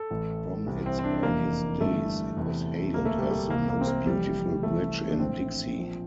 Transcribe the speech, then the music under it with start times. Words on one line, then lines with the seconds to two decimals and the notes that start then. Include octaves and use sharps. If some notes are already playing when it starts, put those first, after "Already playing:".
From its earliest days, it was hailed as The Most Beautiful Bridge in Dixie.
Already playing: A4
0.10 A1 A2 E3
0.66 C2 C3 E3
0.86 C4
0.99 C4
1.04 D4
1.23 F1 E2 E3 A#3
1.80 G1 G2 E3 A3
2.37 E2 C3 E3
2.94 E1 D2 C3 A#3
3.05 A3
3.18 G3
3.31 A3
3.50 C2 C3 E3 A#3
3.70 A#3
3.81 C4
3.87 A#3
4.06 F1 F2 C3 E3 G3
4.63 C2 C3 E3 A3
5.09 D4
5.19 A#1 A2 E3 C4
5.77 A#1 A#2 F3